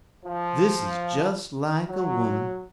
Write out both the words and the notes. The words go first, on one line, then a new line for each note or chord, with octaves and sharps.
This is just like a woman.
F3
F#3